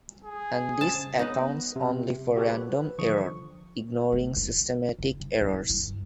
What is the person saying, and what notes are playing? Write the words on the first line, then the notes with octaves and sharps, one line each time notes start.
And this accounts only for random error, ignoring systematic errors.
G#4
C#3 C5 A5
B3 D#4 B4 C#5 F#5
C3
F#4 G4 A4 C#5
B4
D3 F3 C#6 D#6
A3
D4
C#3
F3
A#3 E4
G2